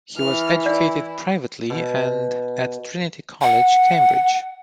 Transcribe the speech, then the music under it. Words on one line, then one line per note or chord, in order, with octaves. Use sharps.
He was educated privately and at Trinity College, Cambridge.
E3 F6
E4 D5
B2
F#5